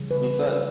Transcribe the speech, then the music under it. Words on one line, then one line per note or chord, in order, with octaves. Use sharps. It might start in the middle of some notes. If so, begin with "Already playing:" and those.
Be fun.
Already playing: C#3 E3 G3
B4